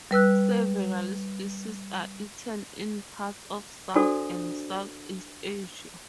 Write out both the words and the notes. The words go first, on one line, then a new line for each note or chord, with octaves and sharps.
Several species are eaten in parts of South and Southeast Asia.
G3 B4 E6 F#6
D4 F#4 A4 C5 D5 D#6